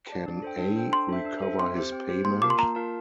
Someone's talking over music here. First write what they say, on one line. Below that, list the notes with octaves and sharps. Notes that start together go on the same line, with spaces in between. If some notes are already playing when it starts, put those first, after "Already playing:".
Can A recover his payment?
D5 A5
D4
A4 C5 G5
D4
A4 C5 G5
D4 C6
A4 C5 E5
D4
A4 C5 E5
C4 C6
G4 C5
C4
G4 C5
A#3 C6
F4 A#4 F5 A5 D6
C6
A#3 A#5
F4 A#4 F5 A5